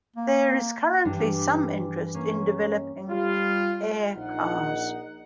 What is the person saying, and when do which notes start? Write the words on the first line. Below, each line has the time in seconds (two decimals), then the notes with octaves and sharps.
There is currently some interest in developing air cars.
0.16 A#3
1.05 G2 E3 G3 D4
2.14 A#3 C#4
3.10 G3 F4
4.17 A#1 D#4 F#5